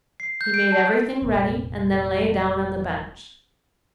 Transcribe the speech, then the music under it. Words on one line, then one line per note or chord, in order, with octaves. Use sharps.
He made everything ready, and then lay down on the bench.
C7
G6
D7
A5
F1 A#1